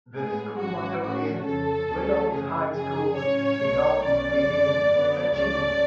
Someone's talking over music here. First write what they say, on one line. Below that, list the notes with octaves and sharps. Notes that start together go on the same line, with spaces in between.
The school motto is "Willows High School: Belong, Believe, Achieve".
A2 G#3 B3 G#4
G#1 G#2 F#3 C#4 F#4
A2 F3 A3 C#4 F#4
F2 C#3 F3 A4
D2 D3 F#3 A3 C#4
F#2 C#3 F3 G#4
F#2 C#3 F3 G#4
A2 F#3 C#4 C#5
B1 B2 F#3 A3
B1 B2 F#3 C#4 D5
F#2 D3 F3 G#3
F#2 D3 F#3 B3
C#2 C#3 F#3 A3 C#4 D5